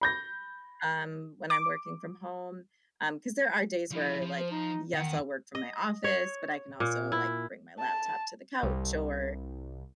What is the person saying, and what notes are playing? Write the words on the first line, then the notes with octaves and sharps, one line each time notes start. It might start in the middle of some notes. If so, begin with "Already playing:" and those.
um, when I'm working from home, um 'cause there are days where, like, yes, I'll work from my office, but I can also, like, bring my laptop to the couch or,
B5 G6 A#6
D6
F3 G3 E4
F3
C5
D#4
E2 D#3 F#5
D#5
C#5
A#2
E4
A5
C2